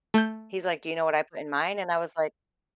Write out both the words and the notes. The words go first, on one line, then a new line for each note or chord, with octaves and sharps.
He's like, "Do you know what I put in mine?" And I was like
A3 G6